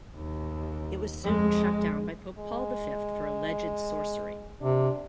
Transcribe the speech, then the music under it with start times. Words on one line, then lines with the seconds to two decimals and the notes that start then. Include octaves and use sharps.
It was soon shut down by Pope Paul the Fifth for alleged sorcery.
0.16 D#2
1.23 F2 G#3
2.38 G#3
4.61 C3 D4